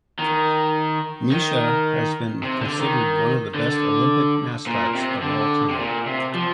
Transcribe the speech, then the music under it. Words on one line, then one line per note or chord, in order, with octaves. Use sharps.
Misha has been considered one of the best Olympic mascots of all time.
D#3
D#3
C3
D3
D#3
D3
A#2
C3
D3
C3
A#2
C3
F3